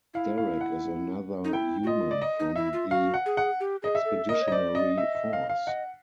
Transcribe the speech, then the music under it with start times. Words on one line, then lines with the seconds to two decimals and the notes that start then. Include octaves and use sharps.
Derek is another human from the expeditionary force.
0.14 E4 F5
0.38 F5
0.61 F#5
1.44 D#4
1.53 E4 G5
1.83 F#4
1.87 F4 D#5
2.11 D5
2.22 D#5
2.39 D#4
2.56 E4 E5
2.73 F4
2.91 F#4 F5
3.14 F#5
3.26 G#4
3.37 F#5
3.60 G4
3.82 G#4 D#5
3.95 E5
4.05 A4
4.29 A#4 D#5
4.42 C#5
4.48 D#5
4.52 C5 D5
4.75 D5 D#5
4.98 D#5 E5
5.15 E5
5.33 F5
5.50 F5
5.66 D#5 F#5